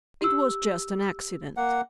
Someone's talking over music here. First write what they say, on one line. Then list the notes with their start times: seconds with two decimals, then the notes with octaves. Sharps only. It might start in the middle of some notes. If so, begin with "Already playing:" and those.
It was just an accident.'
0.21 G4 E6
1.57 A#3 F#5